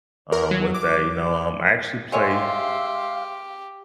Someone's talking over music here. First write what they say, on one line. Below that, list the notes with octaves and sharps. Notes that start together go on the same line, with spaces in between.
um, with that, you know, um, I actually play,
A#4
F#3
D6
G#3 G4 C#5 E5 F5 G#5 C6